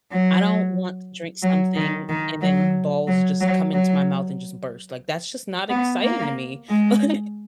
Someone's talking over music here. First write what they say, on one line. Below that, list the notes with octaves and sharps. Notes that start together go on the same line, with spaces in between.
I don't want to drink something and then balls just come into my mouth and just burst, like, that's just not exciting to me, like
F#3
F#3
D#3
D#3
F#3
F#3
F#3
F#3
B3
A#3
G#3